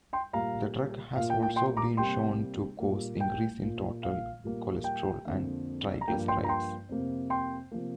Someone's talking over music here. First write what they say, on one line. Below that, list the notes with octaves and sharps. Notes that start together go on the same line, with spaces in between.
The drug has also been shown to cause increases in total cholesterol and triglycerides.
G5 C6
A#2 G3 A#3 F5 A#5
A#2 A#3 F5
G5
G5
G5 C6
A#5 D6
C3 G3 A#3 G5 C6
A#2 G3 A#3
G5
A#2 A#3
F5
A#2 G3 A#3
G5
F2 D3 A#3
A#5
G2 F3 A#3 G5
G5 C6
A#5
G5 C6
F2 C3 A#3
G5 C6
C3 F3 A#3